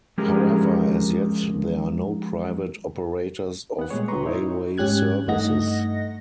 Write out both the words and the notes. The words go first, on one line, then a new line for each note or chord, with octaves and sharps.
However, as yet there are no private operators of railway services.
F3 G#3 C#4 G4 G#4 A#4
B3 F#5
A#2 G3 G#3 G#4 C#5
B4 A#5 C6 C#6
D#4 E4 C#5
G#2 C#4 G4 F#6 G#6
G2 A3 D#4 D#5 F#5 A#6